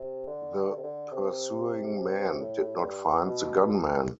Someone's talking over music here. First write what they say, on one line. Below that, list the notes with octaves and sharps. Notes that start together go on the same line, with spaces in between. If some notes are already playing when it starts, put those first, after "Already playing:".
The pursuing men did not find the gunmen.
Already playing: C3
D3
D3
C3
D3
C3
A2
A2
G2
B2